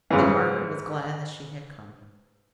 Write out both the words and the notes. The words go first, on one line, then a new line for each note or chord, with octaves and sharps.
Then Margaret was glad that she had come.
G#2 C#3 E3